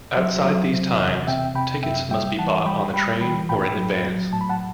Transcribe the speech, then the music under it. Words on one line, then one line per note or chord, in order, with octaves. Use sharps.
Outside these times, tickets must be bought on the train or in advance.
F#3 C5 E5
F#3
C3
E2 D#5 F#5
C3 E5 G5
C3 G5 B5
F#2 E5 G5
G3 E5 G5
E3 F#5 A5
G3 G5 B5
G3 G5 B5
E3 G5 B5
A2 G5 B5
F#3
F#3
A2 A5
B5
F#5 A5